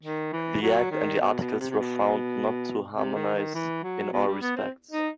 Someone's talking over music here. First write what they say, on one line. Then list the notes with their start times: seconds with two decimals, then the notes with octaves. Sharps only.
The act and the articles were found not to harmonize in all respects.
0.03 D#3
0.33 E3
0.62 F#3
0.91 D#3
1.20 B2
1.40 B2
1.60 C3
1.71 C3
1.79 B2
2.95 C3
3.15 D#3
3.35 D#3
3.54 E3
3.83 F#3
4.12 B2
4.27 G3
4.42 B3
4.56 C4
4.91 D#4